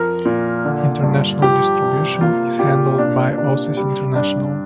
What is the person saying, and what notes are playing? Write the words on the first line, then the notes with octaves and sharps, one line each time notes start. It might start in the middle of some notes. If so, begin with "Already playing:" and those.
International distribution is handled by Oasis International.
Already playing: F2 F3 A#4
A#2
D3
G2
F3 G4
C3
A#3 F4
A#2 G4
A#3 D4
C3 D4
G3
G2 D4